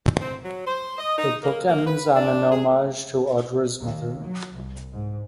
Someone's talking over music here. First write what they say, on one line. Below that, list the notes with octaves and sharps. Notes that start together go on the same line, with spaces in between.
The book ends on a homage to Audre's mother.
C4
F#3
C5
D#5
D#4
A#3
A#3
B4
D4
G#4
A2
D#2
F#3
C2
G#2